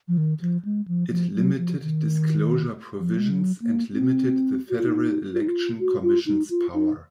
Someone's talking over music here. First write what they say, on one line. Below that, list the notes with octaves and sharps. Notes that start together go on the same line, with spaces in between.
It limited disclosure provisions and limited the Federal Election Commission's power.
F3
D#3
F3
G#3
F3
F3
F#3
F3
D#3
F3
G#3
F#3
A#3
C4
F#4
F4
D#4
F4
D#4
F4
F#4
F4
D#4
F4
D#4